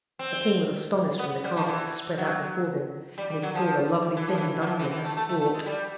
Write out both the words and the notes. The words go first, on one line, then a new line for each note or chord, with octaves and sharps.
The King was astonished when the carpets were spread out before him and he saw the lovely thing Dummling had brought.
C4
B3
G3
F3
E3
F#3
G3
G3
F#3
F3
E3
F3
E3
F#3
F3
E3
E3
A3
A3
A3
A3
G#3
G3